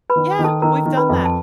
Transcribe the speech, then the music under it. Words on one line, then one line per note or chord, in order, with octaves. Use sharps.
Yeah, we've done that.
B4 B5
D#3
D#3
A4 A5
D#3 A#4 A#5
D#3
B4 B5
F2
A5